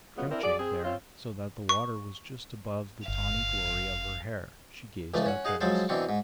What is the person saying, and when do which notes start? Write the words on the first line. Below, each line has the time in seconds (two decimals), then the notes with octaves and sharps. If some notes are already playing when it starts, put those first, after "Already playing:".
Crouching there, so that the water was just above the tawny glory of her hair, she gazed up at us.
0.17 F#3 G#3 B3 C#4 F4
0.30 C4 D4 E4 A#4
0.43 F#3 G#4 D5
0.59 C4 G#4
0.84 C4 C#4 F4
1.69 C#6
3.08 G1 F5
5.14 C#2 E3 F3 A3
5.26 C#4 F#5
5.45 D#4 G#4 F5 F#5
5.61 F3 F#3 G#3 A4 C5
5.89 B2 E3 C4 D4 C#6
6.09 G#2